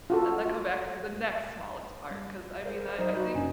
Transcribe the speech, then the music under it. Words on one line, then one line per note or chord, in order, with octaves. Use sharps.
and then come back and do the next smallest part. 'Cause I mean I I think,
F4 F#4 A4
G3
G#4 A#4 C5
F#3 D#4 A#4 C5 D5
F#4 B5 G6
F#2 C3 C#4 D4 G#5